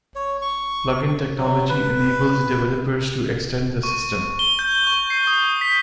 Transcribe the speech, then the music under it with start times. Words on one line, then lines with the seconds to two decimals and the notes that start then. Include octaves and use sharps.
Plugin technology enables developers to extend the system.
0.15 C#5
0.42 C#6
1.37 F#3
1.69 B4
3.83 C#6
4.39 G7
4.59 G6
4.87 C#6
5.10 C7
5.27 D#6
5.61 B6